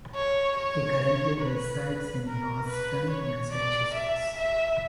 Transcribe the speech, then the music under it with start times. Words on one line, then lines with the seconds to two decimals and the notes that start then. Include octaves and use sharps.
He currently resides in Boston, Massachusetts.
0.15 C#5
0.57 C#5
1.41 B4
2.26 A#4
2.68 B4
3.10 C#5
3.52 D5
3.94 E5
4.37 E5